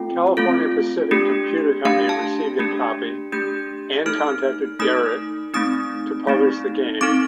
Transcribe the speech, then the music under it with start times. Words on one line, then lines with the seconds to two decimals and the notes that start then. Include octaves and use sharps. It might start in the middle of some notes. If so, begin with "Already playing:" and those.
California Pacific Computer Company received a copy, and contacted Garriott to publish the game.
Already playing: A3 C4 F4 A4 G5
0.37 A3 C4 F4 A4
1.11 A3 D4 G4
1.85 A3 D4 G4 F5
2.09 A5
2.59 A3 D4 G4
3.32 A3 D4 G4 G6
4.06 A3 D#4 A4 F6
4.79 A3 D#4 A4 D#6
5.54 A3 C4 D#4 D#6
6.27 A3 C4 D#4
7.01 C4 D#4 A4 D6